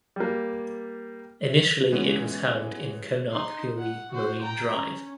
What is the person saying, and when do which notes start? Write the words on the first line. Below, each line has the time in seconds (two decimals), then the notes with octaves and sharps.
Initially it was held in Konark Puri Marine drive.
0.16 G3 A#3
1.92 E3 G#3 B3 C#4
3.32 D#4 C6
3.78 F#5
4.11 F#4 C5
4.41 G5 A#5
4.74 C#4